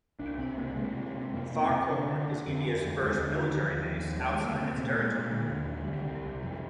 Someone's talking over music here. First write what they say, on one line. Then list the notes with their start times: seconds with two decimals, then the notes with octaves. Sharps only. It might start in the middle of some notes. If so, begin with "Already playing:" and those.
Farkhor is India's first military base outside its territory.
0.19 C2 D4
0.38 C3 C4
0.57 C2 A#3
0.76 C3 G#3
0.95 C3
1.14 C3
1.33 F2 A#3
1.52 C3
1.62 C4
1.70 C3
1.90 D3 D4
2.09 D3
2.18 D4
2.28 D3
2.47 F2 C4
2.65 D3
2.85 F2
3.03 D#2 G#3
3.23 D3
3.41 D#2 D#3
3.60 D#2 F3
3.78 D#2
3.97 D#2
4.17 D2 G3
4.32 D2 G#3
4.45 A#3
4.54 C3
4.60 C4
4.73 A#2 C4
4.86 A#3
4.93 A#2
4.99 G#3
5.12 A#2 A#3
5.30 D3 G#3
5.49 D#2
5.68 D3
5.87 C2 G3
6.06 C2
6.25 C3
6.43 F2 G3